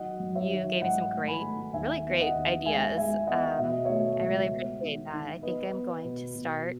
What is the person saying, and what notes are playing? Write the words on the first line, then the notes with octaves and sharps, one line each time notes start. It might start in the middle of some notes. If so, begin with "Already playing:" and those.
you gave me some great really great ideas. Um, I really appreciate that. I think I'm going to start
Already playing: D#3 F#3 D#5 F#5
F#2
C#5 E5
D#3
G#2 D#5 F#5
A3
G#5 B5
A3
D#2 E5 G#5
B3
D#5 F#5
D#2
G#3 E5 G#5
G#3 E5 G#5
B3 D#5 F#5
B2 E5
D#5
A3 C#5 E5
C#2
B3
D#3
D#3
B3 B4 D#5
B3
B2
B2